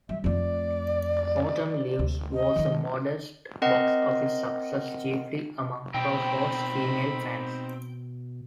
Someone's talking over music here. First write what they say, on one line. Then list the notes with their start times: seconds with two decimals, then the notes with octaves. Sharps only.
"Autumn Leaves" was a modest box-office success, chiefly among Crawford's female fans.
0.09 G3 E5
0.24 F2 A3 D5
1.99 D2
2.33 D#5
2.56 D#3 G#3
3.62 C4 A#4 D#5 F#5 C6
5.94 B2 C4 D#4 G5 B5